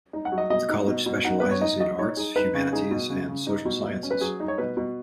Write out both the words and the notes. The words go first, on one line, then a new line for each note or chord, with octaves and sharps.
The College specialises in Arts, Humanities and Social Sciences.
D#4
F#5
F#3
D#5
B2 D#5
D#4
B2
B2
D#4 F#5
B3 B4
C#5
D#4 D#5
F#3 D#5
D#4 C#5
D#4 G#4
D#4 B4
C#3
D#4 G#4
B2
C#3
C#3
D#4
B2
B2
C#4
B4
F#3 G#4
D#4
C#5
B2 B4
B2